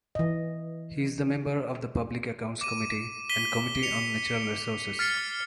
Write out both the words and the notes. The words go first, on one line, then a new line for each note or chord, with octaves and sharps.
He is the member of the Public Accounts Committee and Committee on Natural Resources.
E3 D#5
D6 D#7
B6 D#7 G7
C#7 F7
F6 A6 C7 C#7